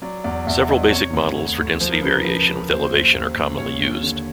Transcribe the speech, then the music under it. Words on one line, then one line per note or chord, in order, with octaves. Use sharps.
Several basic models for density variation with elevation are commonly used.
F#3 D5
E2 D5
E2 E5
E2 D#5
C3 C#5
D2
D2
D2
F3 C5
A#4
C#3 B4
A#4
F3 B4
C#3 B4
D#2 C5
D#2
D#2
D#2
D#2 C#5
D#2
D3